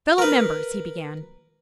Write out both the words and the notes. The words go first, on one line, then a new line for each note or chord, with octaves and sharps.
"Fellow members," he began.
A#4 B4